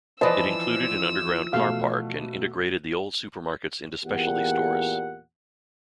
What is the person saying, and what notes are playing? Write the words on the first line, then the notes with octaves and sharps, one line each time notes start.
It included an underground carpark and integrated the old supermarkets into specialty stores.
E3 F3 B4 C5 D5 D#5 A5 E6
B2 A3 F5
E2 A#2 G4 F#5